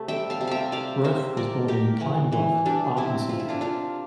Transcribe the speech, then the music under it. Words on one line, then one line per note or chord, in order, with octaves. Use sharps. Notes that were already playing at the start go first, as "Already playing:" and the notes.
Roaf was born in Pine Bluff, Arkansas.
Already playing: C3 A3
G3 E5 G5
F5 A5
C3
E5 F5 G5
C3 D5 F5
A#3 C5 E5
A#3 A#4 D5
A#3 G4 A#4
E3
E3
G3 D4
C3 C4 E4
C3 F4
E4
D4 F4
A#3 D4 F4